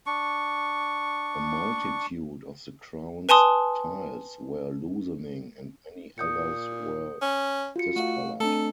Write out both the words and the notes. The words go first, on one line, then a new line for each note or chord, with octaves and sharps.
A multitude of the crown's tiles were loosening and many others were discolored.
D4 C#6
B4 G#5 A5 C6 D#6
A#2 D#6 G6 C#7
C#4
F4 F#4 C#7
A3 F#4 F5
A3 C4 D4 A4